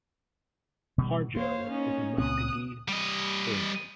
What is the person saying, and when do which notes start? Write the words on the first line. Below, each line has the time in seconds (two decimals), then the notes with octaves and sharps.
"Harjo" is a Muscogee surname.
0.98 B2 D#3 G3
1.36 A#3 C5 C#5 F5
1.69 C#4 D#4
2.18 C#2 A#2 C4 D#6 F#6
2.88 G3 D#5